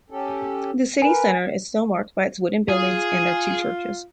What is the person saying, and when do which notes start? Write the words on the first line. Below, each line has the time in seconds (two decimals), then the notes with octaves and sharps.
The city centre is still marked by its wooden buildings and their two churches.
0.10 C#4 G4 A4
1.02 A#4 B4 G#5
2.69 F4 G#4